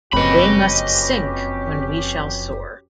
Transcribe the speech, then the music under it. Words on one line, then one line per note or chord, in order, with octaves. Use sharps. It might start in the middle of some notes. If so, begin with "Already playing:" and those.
They must sink when we shall soar.
F#1 F2 C#4 F#4 G4 B4 D#5 B5